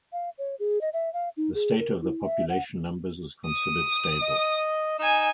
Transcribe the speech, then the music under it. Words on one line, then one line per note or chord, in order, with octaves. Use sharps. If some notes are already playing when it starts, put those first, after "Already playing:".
The state of the population numbers is considered stable.
F5
C#5
G#4
D#5
E5
F5
D#4
G#4
A#4
E4
E5
F#5
D#6
D#5
D#4 G#5 E6